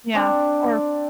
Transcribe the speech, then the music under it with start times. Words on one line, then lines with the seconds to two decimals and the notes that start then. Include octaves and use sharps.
Yeah or
0.14 C4 D4